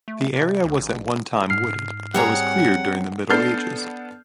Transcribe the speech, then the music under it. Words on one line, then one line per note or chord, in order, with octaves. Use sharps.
The area was at one time wooded, but was cleared during the Middle Ages.
A3
C3
D2
A1
G#2 F6 C7
G3 C4 G#4 C#5 F#5 A#5
B3 D4 A4 F6 G6 C7